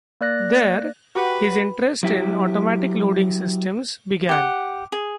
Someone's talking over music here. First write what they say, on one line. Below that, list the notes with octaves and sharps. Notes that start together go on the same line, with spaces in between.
There, his interest in automatic loading systems began.
A#3 D5 F#6 A#6
F#4 G4 B4 F#5
F#3 E4 G4
G4 F#5
G#4